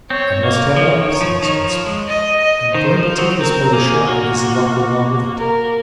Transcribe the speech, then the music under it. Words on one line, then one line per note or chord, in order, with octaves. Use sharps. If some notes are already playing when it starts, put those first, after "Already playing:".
'I must have it up,' said Mr Inspector. 'I am going to take this boat ashore, and his luck along with it.
C4 C#5
A#3 C#5
F3
D#3
F3
D#3
F3
G#3
D#5
D#5
D#3 C5
F3
C5
F#3
C4 A#4
A#3 G#4
A#3 F#4
A#4